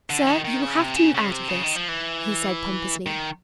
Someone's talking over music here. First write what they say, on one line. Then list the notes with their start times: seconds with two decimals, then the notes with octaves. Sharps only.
"Sir, you will have to move out of this," he said pompously.
0.10 D3
0.27 D#3
0.45 D#3
0.62 C#3
0.79 C3
0.96 C#3
1.15 C#3
1.31 C3
1.48 C#3
1.63 D#3
1.76 F3
1.88 E3
3.06 D#3